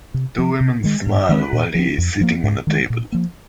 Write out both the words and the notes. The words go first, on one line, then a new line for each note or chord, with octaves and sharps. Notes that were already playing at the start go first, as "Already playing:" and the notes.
Two women smile while he is sitting on a table.
C3
F3 C4
C3
D#3 G#3
G#2
D#3 G#3 C4
A#2
F3 C4
F2
F3 A#3
G#2
D#3 G#3
A#2
F3 A#3